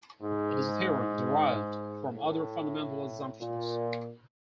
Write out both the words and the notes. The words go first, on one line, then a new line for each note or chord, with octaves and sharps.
It is a theorem, derived from other fundamental assumptions.
G#2
A2
A#2